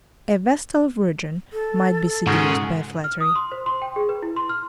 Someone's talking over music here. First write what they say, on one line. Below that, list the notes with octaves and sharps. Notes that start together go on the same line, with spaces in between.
A vestal virgin might be seduced by flattery.
A4
G#2 C#3 F#4 G#4
F6
D#6
C6
C5
C6
G5
G#4
B4
E4
C6
F6